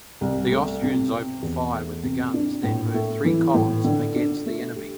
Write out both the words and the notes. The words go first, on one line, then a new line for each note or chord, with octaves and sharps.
The Austrians opened fire with the guns, then moved three columns against the enemy.
C2
A3
C3
C4
E2
A3
C3
D4
A2
A3
E3
A2
D3
D4
A3
G4